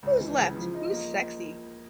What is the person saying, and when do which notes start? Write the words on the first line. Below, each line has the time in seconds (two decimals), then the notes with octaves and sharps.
Who's left who's sexy?
0.03 C#2
0.20 E3
0.38 C#3
0.56 F3
0.74 D#4
0.92 A#3